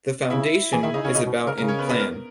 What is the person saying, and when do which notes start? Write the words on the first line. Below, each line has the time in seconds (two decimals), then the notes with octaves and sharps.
The foundation is about in plan.
0.23 D#5
0.30 C#3 E4 E5
0.73 E3 G#4 G#5
0.83 D#3 E4 E5
0.94 C#3 D#4 D#5
1.04 C#3 C#4 C#5
1.15 C#3 D#4 D#5
1.26 B2
1.47 C#3 A#4
1.58 C#3 A#4
1.68 C#4 C#5
1.79 B3 B4
1.89 B3 B4
2.00 A#4